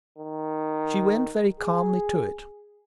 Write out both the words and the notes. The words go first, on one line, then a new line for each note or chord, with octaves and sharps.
She went very calmly to it.
D#3
G#4